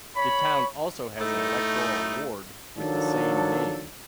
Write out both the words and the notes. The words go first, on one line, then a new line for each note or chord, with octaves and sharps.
The town also has an electoral ward with the same name.
C#5 B5
A2 A3 D#4
D#3 F3 F#3 D4 A4